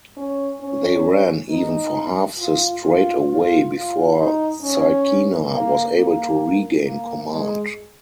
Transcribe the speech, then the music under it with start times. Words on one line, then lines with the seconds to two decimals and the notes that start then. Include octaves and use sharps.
They ran even for half the straightaway before Zykina was able to regain command.
0.17 C#4
0.61 C#4
1.50 D#4
2.39 F4
2.83 F4
3.29 F4
3.73 F4
4.18 D#4
4.62 C#4
5.51 A#3
5.96 A#3
6.86 A#3
7.29 G#3